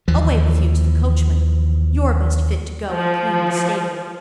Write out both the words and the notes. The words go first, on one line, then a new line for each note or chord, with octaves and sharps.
"Away with you to the coachman; you're best fit to go and clean the stable."
D#2 E3 F3
F3